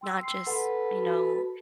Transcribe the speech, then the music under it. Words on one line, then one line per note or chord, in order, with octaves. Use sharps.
not just, you know
G5 C6 E6
C6 E6 C7
A4 B4 F#5
F#4